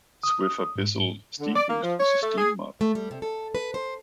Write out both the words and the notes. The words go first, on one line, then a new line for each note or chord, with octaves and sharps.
Swiffer Bissell Steamboost is a steam mop.
D#6
G#2
D3
D5
A#3
F3
C#5
A3
G#4
A3
G3
C3
A4
B4
C5